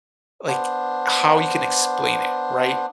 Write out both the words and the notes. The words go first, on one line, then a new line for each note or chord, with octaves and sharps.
like, how you can explain it, right?
B3 D4 C5